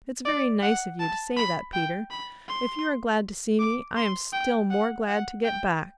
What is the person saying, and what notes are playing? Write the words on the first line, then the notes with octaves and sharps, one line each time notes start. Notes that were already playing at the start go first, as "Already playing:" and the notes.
"It's very nice of you to say that, Peter. If you are glad to see me I am still more glad to get back."
D5
F#5
A5
B5
G5
B5
C6
D6
C6
G5
F#5
F#5
G5